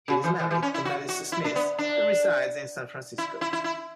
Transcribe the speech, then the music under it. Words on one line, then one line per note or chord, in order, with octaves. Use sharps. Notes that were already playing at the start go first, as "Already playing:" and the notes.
He is married to Melissa Smith and resides in San Francisco.
C#3
E3
E3
E3
C#4
E4
F#4
F#4
E4
D4
B3
D4
E4
E4
E4
E4